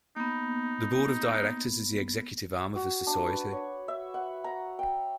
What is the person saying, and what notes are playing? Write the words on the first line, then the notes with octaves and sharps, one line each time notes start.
The Board of Directors is the executive arm of the Society.
A#3 B3 D#4
F#4
D4
B4
C#5
E5
F#5
A#5
G5